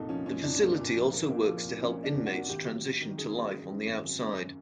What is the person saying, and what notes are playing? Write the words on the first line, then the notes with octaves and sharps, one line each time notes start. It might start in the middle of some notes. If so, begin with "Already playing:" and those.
The facility also works to help inmates transition to life on the outside.
Already playing: C2 A#2 D#4 A4
F3 C#4
F3 C#4
C2 D4
A#3
A#2
F3
A#3
A#3
F3
C2
F3 C#4
A#3
D4
C2
F#4
A#3
G#1 G4
F#3
F#3
D#3
F#2 G#4
F#3
F#2
F#2
G#1
F#3
F#2